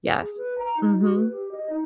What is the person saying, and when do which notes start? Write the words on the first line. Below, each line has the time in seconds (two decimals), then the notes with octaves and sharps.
Yes. Mhm.
0.20 G#4
0.37 B4
0.58 A#5
0.77 D#4
0.99 F#4
1.14 B4
1.31 G4
1.52 D#5
1.69 D#4